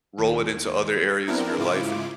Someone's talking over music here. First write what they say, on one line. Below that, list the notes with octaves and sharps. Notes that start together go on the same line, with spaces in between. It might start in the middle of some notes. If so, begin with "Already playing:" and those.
roll it into other areas of your life, and
D#2
B3 C4 D4 E4 A#4
G#2 C#3 E4 F4 D6 D7